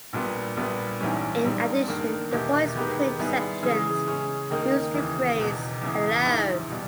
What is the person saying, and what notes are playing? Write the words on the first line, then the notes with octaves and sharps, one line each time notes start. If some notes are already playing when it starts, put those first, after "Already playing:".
In addition, the voice print sections use the phrase Hello.
A#1 A#2 G3 B3
A#1 A#2 G3 B3
A#1 G#2 E3 G3 C#4
A#1 G#2 G3
G2 D#3 A#3
E2 B2 A#3 E4 G4
D#3 G#3 B3 G4 A#4
G#2 G3 B3 E4 G#4
C#3 E3 G#3
C#3 G#3 C#4
D#2 D#3 A#3 D#4 A#4
D#2 C#3 E3
E1 E2 B2
E2 C#3 E3
A#1 G#2 E3
B2 G3